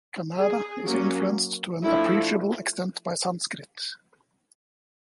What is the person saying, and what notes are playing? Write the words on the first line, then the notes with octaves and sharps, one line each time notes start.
Kannada is influenced to an appreciable extent by Sanskrit.
G#4
F#3 A#3 C#4
F3 A3 D4 E4